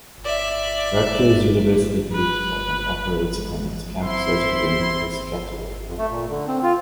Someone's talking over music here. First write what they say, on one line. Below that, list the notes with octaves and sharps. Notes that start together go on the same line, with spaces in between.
Rutgers University Police Department operates on its campuses within Piscataway.
D5 E5
B4
G#3
C4 E4 C6
F2
A3
A#2
D3
C4
F4